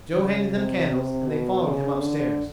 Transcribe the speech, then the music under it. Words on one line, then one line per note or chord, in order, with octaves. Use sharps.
Joe handed them candles and they followed him upstairs.
C#3
C3
B2
C#3
D3